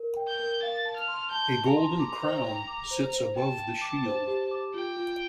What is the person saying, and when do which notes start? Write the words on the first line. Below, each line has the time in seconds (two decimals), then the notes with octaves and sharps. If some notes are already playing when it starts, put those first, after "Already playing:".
A golden crown sits above the shield.
Already playing: A#4
0.17 G5
0.27 G6
0.40 A#4
0.63 F5 A6
0.85 A5
0.96 F6
1.08 C6
1.31 A5 G6
1.54 A5
1.65 A#5
1.77 C6
1.99 A#5 D6
2.22 C5
2.45 G5
2.67 D6
2.91 C5
3.13 C5
3.36 G5 A5
3.60 G5
3.82 D6
4.06 C5
4.27 G4
4.51 D6
4.74 F4 G5
4.96 F4